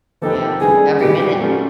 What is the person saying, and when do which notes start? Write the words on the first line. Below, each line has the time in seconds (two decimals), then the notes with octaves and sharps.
Yeah. Every minute.
0.22 F3 A#3 D#4 G4 A4 B4
0.61 C#3 E3 G3 G#4
1.00 A#2 G3 B3 D#4 F#4 G4
1.40 F#3 A3 C#4 F4 A4